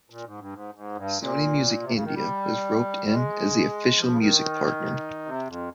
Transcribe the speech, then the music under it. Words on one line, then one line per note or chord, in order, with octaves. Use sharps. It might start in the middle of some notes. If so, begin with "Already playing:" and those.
Sony Music India was roped in as the official music partner.
A#2
G#2
G2
G#2
G#2
G2
A#2
C3
C#3
D#3
G3
G#3
F3
C#3
D#3
C3
F2